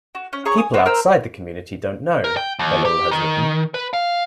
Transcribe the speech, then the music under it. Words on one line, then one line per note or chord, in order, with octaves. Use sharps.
"People outside the community don't know," Bellil has written.
F#4
C#4
G#4 C#5 A#5 C#6
G#5 D#6
B3 C4 F#4 B4
A#4 C5 A#5 E6
A#4
G5
D#2
G4
D#3
B4
F5